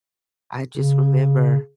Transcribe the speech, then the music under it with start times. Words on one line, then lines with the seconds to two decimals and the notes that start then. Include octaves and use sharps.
I just remember
0.77 C#3